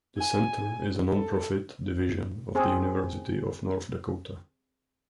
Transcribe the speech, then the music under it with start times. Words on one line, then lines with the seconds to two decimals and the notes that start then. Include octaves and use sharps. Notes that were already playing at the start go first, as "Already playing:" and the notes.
The center is a nonprofit division of the University of North Dakota.
0.17 G#5
1.12 A4
2.55 C4 G#4